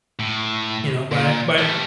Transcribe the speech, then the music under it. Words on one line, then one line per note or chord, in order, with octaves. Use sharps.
You know, by by
A2
A#2
G3 A3